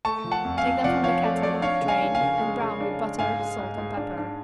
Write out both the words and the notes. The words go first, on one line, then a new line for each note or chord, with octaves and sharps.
Take them from the kettle, drain, and brown with butter, salt and pepper.
A3 A5 C#6
F3
F#5 A5
F2
F5 G#5
F2
F3 D5 F#5
F3 C#5 F5
A3 D5
A3 D5
D4 C#5 F5
C#3
F5 G#5
D4
F5 G#5
C#3
G#3
C#3
D4
G#3
G#2 F5 G#5
G#3
G#2
G#2
D4
D4